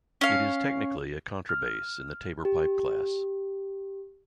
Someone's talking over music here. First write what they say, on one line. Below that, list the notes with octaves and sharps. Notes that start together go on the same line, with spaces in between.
It is technically a contrabass in the tabor pipe class.
C#4 F5
F6
G4